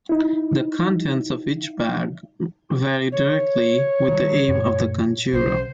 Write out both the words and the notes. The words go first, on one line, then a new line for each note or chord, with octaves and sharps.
The contents of each bag vary directly with the aim of the conjurer.
D#4 E4
C#5
D#3 G3
F#2 A#2 A3
B1 C#3 C5